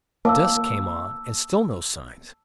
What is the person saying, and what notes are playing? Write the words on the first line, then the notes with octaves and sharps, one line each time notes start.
Dusk came on, and still no signs.
A#3 A5 D6 E6